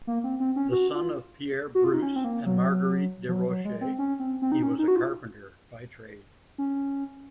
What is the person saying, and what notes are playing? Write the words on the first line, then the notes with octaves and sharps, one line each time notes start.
The son of Pierre Bruce and Marguerite Desrosiers, he was a carpenter by trade.
A#3
C4
C4
C#4
F#4
F4
F#4
F4
D#4
C#4
C4
A#3
F#3
F3
F#3
F#3
G#3
C4
C#4
C4
C4
D#4
C#4
D#4
F#4
F4
C#4